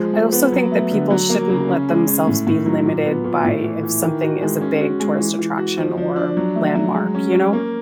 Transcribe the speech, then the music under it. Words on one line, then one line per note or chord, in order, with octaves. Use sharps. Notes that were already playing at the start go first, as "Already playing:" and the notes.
I also think that people shouldn't let themselves be limited by if something is a big tourist attraction or landmark, you know?
Already playing: F3 G#3
F3
B3
F#3
A3
D3
F#3
A#3
C#3
C#4
G#3
C#4
A2
A2
F#3
A#2
B3
A#2
A2
E3
E3
D#3
F#4
G#3
C#4
F#4
G#3
E3
E3
F#4
F3
F3
D4
F#3
A3
F#3
G#3
C#4
C#4
A#3